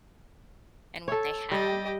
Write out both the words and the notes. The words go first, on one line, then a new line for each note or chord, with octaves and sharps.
and what they have
A4 C#5
G3 G4 D5 D#5